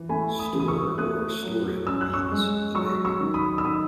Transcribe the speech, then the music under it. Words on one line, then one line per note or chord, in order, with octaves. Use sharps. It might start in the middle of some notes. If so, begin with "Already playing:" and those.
"Store" or "Storen" means "The Big".
Already playing: E3
A3 G#5 B5
B5 D#6
E3
D#6
C#6 E6
A3 D#6 F#6
F#3
C#4 E6
F#6
C#6 E6
G#3
F#3 C#6 E6
C#6 E6
D#3
B5 D#6
E6
D#4 B5 D#6